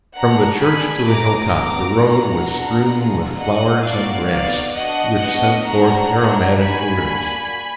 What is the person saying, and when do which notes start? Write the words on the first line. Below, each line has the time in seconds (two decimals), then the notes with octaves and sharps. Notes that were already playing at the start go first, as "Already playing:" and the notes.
From the church to the hill-top the road was strewn with flowers and grass, which sent forth aromatic odors.
0.17 D4 F#4 F#5 A#5
0.63 B3 D4 G#4 G#5 B5
1.09 B3 D#4 G#4 A#5 D6
1.54 B3 D4 F#4 A#5 D6
2.00 A#3 D4 F4 G#4 F#5 A#5
2.47 B3 D4 F#4
2.92 D4 F4 G#4
3.37 D4 F#4 D#5 F#5
3.84 A#3 D4 F#4 D5 F5
4.29 B3 D#4 F#4 D5 F5
4.75 D4 F#4 D#5 F#5
5.20 B3 D4 F#4 D#5 F#5
5.66 D4 F#4 F#5 A#5
6.12 D4 G#4
6.58 A#3 D#4 F#4 G#5 B5
7.04 A#3 D4 F#4